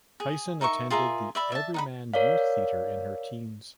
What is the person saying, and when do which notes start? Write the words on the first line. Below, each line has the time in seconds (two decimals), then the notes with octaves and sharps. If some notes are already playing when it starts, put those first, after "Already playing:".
Tyson attended the Everyman Youth Theatre in her teens.
0.20 G#4
0.61 D#4 A#4 E5 C#6
0.90 F4 G#4 A#4 E5
1.35 D5 E5 B5
1.52 E5 A5
1.74 D#4 F#5 B5
2.14 A#4 C#5 D5 F5